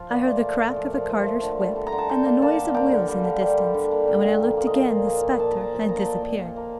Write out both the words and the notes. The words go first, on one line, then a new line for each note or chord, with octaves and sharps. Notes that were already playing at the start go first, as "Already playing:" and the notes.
I heard the crack of a carter's whip and the noise of wheels in the distance, and when I looked again the spectre had disappeared.'
Already playing: F3 F4
A#2 D5
A3
A3
A#2
F3
F3
F3
A3
D3
G3
D3
A#5
D3
A5
D3 G5
A#3
A#3 A5
D3
A#3 G5
D3
G3
D3
G3
D3
D3
A#3
A#2
A#2
F3
A#3
D#5
F3 F5
A#2
A#3
A#2
A#2 A5
A#5
A#2 A5
F3
A#3 A#5
A5
A#2 G5
A#2
A#2
A#3